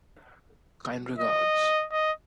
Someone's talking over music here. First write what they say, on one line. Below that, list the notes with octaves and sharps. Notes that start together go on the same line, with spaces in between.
Kind regards.
D#5
D#5